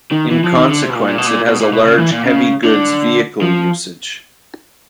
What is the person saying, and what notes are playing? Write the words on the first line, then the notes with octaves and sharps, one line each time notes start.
In consequence it has a large Heavy Goods Vehicle usage.
D#3
E3
F3
D#3
D3
C3
B2
A#2
A#2
B2
A#2
B2
A#2
B2
C#3
E3
A#2
C#3
D3
F3